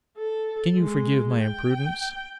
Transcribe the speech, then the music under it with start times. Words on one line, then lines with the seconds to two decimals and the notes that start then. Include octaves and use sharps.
'Can you forgive my imprudence?'
0.18 A4
0.78 G#3
1.42 G5